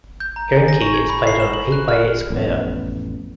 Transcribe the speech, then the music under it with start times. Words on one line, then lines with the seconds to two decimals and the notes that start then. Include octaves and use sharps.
Gounki is played on an eight-by-eight square.
0.20 G6
0.36 A#5
0.56 G#5
0.68 A#6
0.82 C#6
0.94 G#6
1.09 B5
1.27 C7
1.40 E7
1.54 F#7
1.72 F#6
1.88 F6
2.30 A1 F2 B3